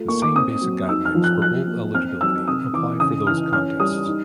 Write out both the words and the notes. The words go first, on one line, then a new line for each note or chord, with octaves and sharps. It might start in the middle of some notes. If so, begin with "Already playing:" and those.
The same basic guidelines for bowl eligibility apply for those contests.
Already playing: A3 F4
A#3 C#6
D6
C4 D#6
F#3
D#4 E6
F6
F3
F#6
F#3 F#6
A#3
C4 F6
F#3 E6
C3 D#6
E3 D6
C#3 D#6
E3 F6
C#4 F6
G3 D#6
D#4